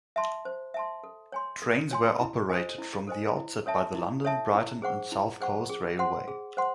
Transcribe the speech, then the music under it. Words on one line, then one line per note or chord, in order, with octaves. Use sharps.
Trains were operated from the outset by the London, Brighton and South Coast Railway.
E5 A5 C6
C5
E5 A5 C6
A4
C#5 G#5 C6
A4
C#5 G#5 C6
E4
A4 C5 D#5 G#5
E4
A4 C5 D#5 G#5
E4
A4 C#5 E5 A5
E4
A4 C#5 E5 A5
E4
G#4 C5 F#5 C#6
E4
G#4 C5 F#5 C#6
G#4
C5 F#5 C6
G#4
C5 F#5 C6